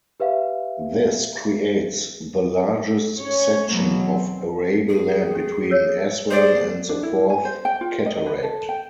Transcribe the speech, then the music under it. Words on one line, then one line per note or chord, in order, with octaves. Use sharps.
This creates the largest section of arable land between Aswan and the Fourth Cataract.
G4 B4 E5 F5
C#4 C#5
B2 F#3 A#3
C4
G#4
C#4 G4 A4
C#5 E6
G#4 C5 D5
D4
E4
G#5
C5
G5
F4
D#5
B4
A4
G5